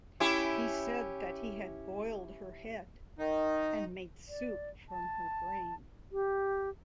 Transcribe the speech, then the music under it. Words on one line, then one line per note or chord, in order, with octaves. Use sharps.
He said that he had boiled her head and made soup from her brain.
C#4 E4 G4
D#3 D#4
D5
A5
G4